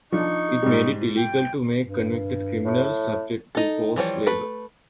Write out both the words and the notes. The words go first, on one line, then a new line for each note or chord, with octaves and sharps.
It made it illegal to make convicted criminals subject to forced labor.
F3 D4 D#4 C#6
G#2 G3
G5
G2
A2
D#4 A4
E3 F3 G3 C#5
A3 B4